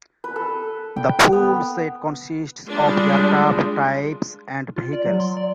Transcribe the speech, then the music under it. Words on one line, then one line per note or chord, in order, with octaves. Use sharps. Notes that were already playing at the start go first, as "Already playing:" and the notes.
The full set consists of aircraft types and vehicles.
B4
A4
G5
B3
G3 G#3 D4 F4
F4
D5
F#3
C6
D5